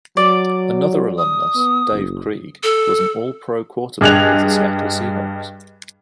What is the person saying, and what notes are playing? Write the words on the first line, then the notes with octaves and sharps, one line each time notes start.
Another alumnus, Dave Krieg, was an All-Pro quarterback with the Seattle Seahawks.
F#3 D5
D#6
B3
F#1
A4
G2 G#4 D#5 F#6 G#6 F7